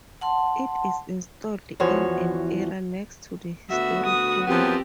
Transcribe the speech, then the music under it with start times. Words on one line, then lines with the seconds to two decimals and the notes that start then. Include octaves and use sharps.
It is installed in an area next to the historic home.
0.21 F#5 A5 C6
1.80 E2 E3 F3 F#4 C#5
3.70 D2 B3 F#4 E5
4.06 D#6
4.47 F#2 F3 B3 C4 G4